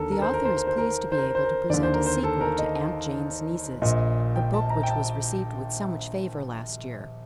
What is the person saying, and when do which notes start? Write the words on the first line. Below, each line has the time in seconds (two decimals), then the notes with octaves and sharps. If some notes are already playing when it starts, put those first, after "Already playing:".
The author is pleased to be able to present a sequel to "Aunt Jane's Nieces," the book which was received with so much favor last year.
Already playing: D#2 D3 A4 A#4
0.12 A#4
0.22 C5
0.34 A#4
0.45 C5
0.57 A#4
0.67 C5
0.78 A#4
1.12 C5
1.18 A#4
1.35 C5
1.44 A#4
1.70 D#2 D3 D5
1.83 C5
1.94 A#4
2.06 C5
2.24 A4
2.41 A#4
2.59 D#5
3.82 A#1 A#2 D#5
4.36 G5
4.54 A5
4.70 A#5
4.83 G5
4.88 A5